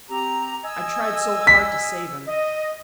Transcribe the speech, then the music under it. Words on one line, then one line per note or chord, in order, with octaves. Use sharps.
"I tried so hard to save him."
C4 G4 A#5
D#5 G#5 E6
B6
D#5